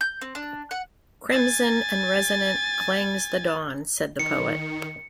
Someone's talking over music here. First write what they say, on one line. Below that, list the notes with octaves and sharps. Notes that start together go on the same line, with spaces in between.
"Crimson and resonant clangs the dawn," said the poet.
G6
C4
D4
F#5
G#5 A6
D#3 C#7